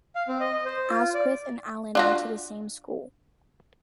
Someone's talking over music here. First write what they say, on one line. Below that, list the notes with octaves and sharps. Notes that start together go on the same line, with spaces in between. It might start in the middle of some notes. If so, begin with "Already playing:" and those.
Asquith and Allen went to the same school.
F5
C4
D#5
D#5
C5
F4
D5
D4 F4 F#4